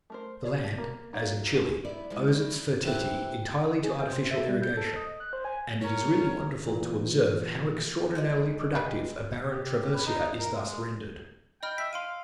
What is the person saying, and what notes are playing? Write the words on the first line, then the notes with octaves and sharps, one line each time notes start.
The land, as in Chile, owes its fertility entirely to artificial irrigation; and it is really wonderful to observe how extraordinarily productive a barren traversia is thus rendered.
A3 A#4 C5
G#4 C#5 D5
A3
A#3
D#4 F#4 C#5 E5 F5
F#4 G#4 A4 B4
B3 E4 D5
F3 G#3
F#3 E4
C3 E3 C4
G#4
G5
C5
E5
G3
G6
A4
D#5
F#6
C5
G#5
A#4 C#5
A#2 E3
G#3 D#4 D5
G4 G#4 B4
G4
B4
D#4
A#4
G#3
D#5 G5 B5 F6
E5 B6
F5 C6 D7 D#7